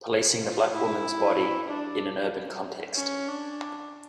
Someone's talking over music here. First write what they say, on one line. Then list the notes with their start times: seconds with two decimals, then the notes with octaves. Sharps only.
Policing the Black Woman's Body in an Urban Context.
0.41 F4
0.73 E4
1.68 D4
2.96 C#4
3.28 D4